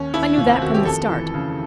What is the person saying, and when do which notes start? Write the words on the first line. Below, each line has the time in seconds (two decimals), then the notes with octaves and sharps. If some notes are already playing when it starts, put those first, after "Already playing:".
I knew that from the start.
Already playing: D#2 C#4
0.13 D#2 E4
0.38 F1 F4
0.49 C4
0.62 D#3 F#4
0.74 G4
0.85 F2 A4
1.10 E3
1.34 C#3